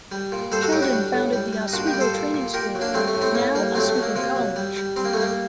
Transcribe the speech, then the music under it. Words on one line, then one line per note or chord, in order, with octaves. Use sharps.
Sheldon founded the Oswego Training School, now Oswego College.
G3
A#2
G3 A4 C5
F#4 A4
A2 D#4 G4
D4 F#4
G3
A2
G3
G3
D#4
A#2 D4 F#4
D#4 G4
G3
A4 C5
A#2
A#2
A#2 G4 A#4
F#3
A#3 D4
G3 A3 C4
A3
A2
A3 C4
A2 A#3
G3 A#3
F#3 A3 C4
A3
F#3
A#3
C3 A#3
F#3
G3
G3
G3 C4
A#3
A3
G3 A#3